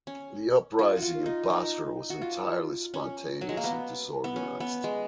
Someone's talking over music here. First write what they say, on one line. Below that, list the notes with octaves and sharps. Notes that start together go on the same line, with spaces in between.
The uprising in Basra was entirely spontaneous and disorganised.
C#4
F4
F#4
F4
D#4
D#4
F#4
F4
C#4
F#3
G#3
A#3
B3
B3
C#4
B3
G#3